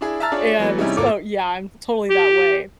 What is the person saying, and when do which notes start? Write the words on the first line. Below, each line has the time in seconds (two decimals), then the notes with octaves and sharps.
and so, yeah, I'm totally that way.
0.01 D4 E4 G#4
0.20 E5 A5 A#5 E6 F6 A6
0.32 D4 F4 G#4 C#5 D5
0.59 E3 F#3 A3 B3
0.78 C3 G3 C#4 D#4 E4 G#4
0.97 G#1 A#3 F4 A4 D6
2.10 G4